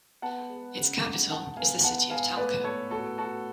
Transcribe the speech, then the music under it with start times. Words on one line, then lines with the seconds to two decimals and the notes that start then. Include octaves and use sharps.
Its capital is the city of Talca.
0.22 B3 F#5 A5
0.49 G#3
0.77 C#3
1.03 A3
1.30 G#2 F#5 A5
1.57 B3 F5 G#5
1.84 B3 F#5 A5
2.10 G#2 F5 G#5
2.37 A2 B4 D5
2.64 B3 A4 C#5
2.91 A2 F#4 A4
3.18 A3 F#4 A4